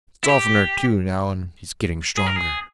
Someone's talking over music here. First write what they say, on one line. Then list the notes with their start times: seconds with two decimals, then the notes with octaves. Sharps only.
It's oftener, too, now, and he's getting stronger.
0.24 E4
0.28 G4
2.17 G#4
2.26 A#4
2.36 G#4